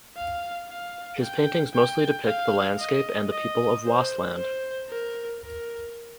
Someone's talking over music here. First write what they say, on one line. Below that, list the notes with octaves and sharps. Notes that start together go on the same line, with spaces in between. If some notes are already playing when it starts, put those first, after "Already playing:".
His paintings mostly depict the landscape and the people of Waasland.
F5
F5
G5
G5
F5
D#5
D#5
C5
C5
A#4
A#4